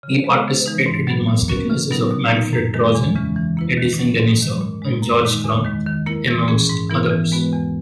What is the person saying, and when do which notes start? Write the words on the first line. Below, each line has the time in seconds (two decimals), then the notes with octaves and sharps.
He participated in masterclasses of Manfred Trojahn, Edison Denisov and George Crumb, amongst others.
0.03 C#3
0.24 G#3 B3
0.45 C#3
0.66 E3 G#3 D#4
0.86 G#2
1.07 F#3 B3
1.29 A#2
1.48 A#3 C#4 F#4 A#4
1.70 C#3
1.91 F#3 B3 D#4 A#4
2.11 B2
2.32 A#3 D#4
2.53 F#2
2.74 D#3 G#3
2.95 E2
3.15 C#3 E3 G#3 C#4
3.36 E3
3.57 A#3 E4 B4
3.78 D#3
3.99 F#3 C#4
4.19 G#2
4.40 D#3 G#3
4.61 A#2
4.82 G#3 D#4
5.02 F#2
5.23 D#3 G#3 D#4
5.44 E2
5.65 D#3 G#3
5.86 D#3
6.06 A#3 E4 A#4
6.28 E3
6.48 A#3 C#4 G#4
6.69 G#2
6.90 E3 B3 E4 A#4
7.11 E3
7.32 G#3 B3 F#4 B4
7.53 E2